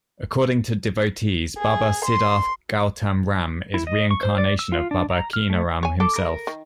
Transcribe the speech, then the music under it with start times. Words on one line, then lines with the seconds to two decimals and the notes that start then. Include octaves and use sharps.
According to Devotees, Baba Siddharth Gautam Ram is reincarnation of Baba Keenaram himself.
1.56 G#4
2.04 C6
3.74 E4
3.87 D#5
4.11 C#6
4.23 C5
4.38 D5
4.59 E6
4.72 F4
4.91 D4
5.10 A#5
5.33 F6
5.50 A3
5.83 C#5 G#5
6.00 A4 D6
6.16 A#4
6.47 D#3